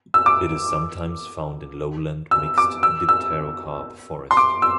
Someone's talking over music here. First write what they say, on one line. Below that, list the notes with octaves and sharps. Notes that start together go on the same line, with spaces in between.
It is sometimes found in lowland mixed dipterocarp forest.
E6
D6
E6
D6
E6
E6
C6
D6
E6